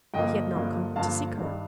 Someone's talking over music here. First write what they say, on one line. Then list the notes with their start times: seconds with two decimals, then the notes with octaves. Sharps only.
He had not come to seek her.
0.14 G2 D3 F3 A#3 D#5 G5
0.55 G2 D3 F3 A#3
0.96 G2 D3 F3 A#3 F5 A5
1.38 G2 D#3 G3